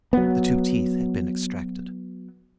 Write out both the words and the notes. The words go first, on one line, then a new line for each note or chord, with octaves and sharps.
The two teeth had been extracted.
F#3 B3